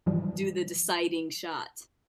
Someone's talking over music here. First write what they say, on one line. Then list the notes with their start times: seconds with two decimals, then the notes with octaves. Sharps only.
do the deciding shot.
0.06 G#2 E3 F3 G3